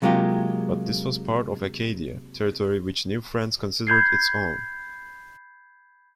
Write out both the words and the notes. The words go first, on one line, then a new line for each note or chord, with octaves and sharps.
But this was part of Acadia, territory which New France considered its own.
C3 F#3 G#3 A#3 F4 G4
B5 G6 G#6 C7